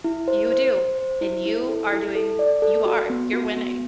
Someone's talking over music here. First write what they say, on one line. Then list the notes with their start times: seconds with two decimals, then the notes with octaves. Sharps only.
You do, and you are doing You are. You're winning.
0.04 E4
0.28 C5
0.52 C5
0.75 C5
0.98 C5
1.21 E4
1.45 E4
1.69 A4
1.93 E4
2.15 A4
2.39 D5
2.62 A4
2.86 F#4
3.10 B3
3.33 F#4
3.57 B3